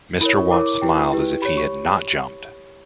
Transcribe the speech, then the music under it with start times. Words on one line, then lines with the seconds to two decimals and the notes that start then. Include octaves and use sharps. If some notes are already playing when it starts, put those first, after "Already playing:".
Mr. Watts smiled as if he had not jumped.
0.21 E4 A#4 C#5 B5
0.37 C#6
0.51 E4 A#4 C#5 D6
0.66 D6
0.82 E4 G4 B4 G5
1.13 E4 G4 B4
1.42 G4 C#5 B5
1.57 C#6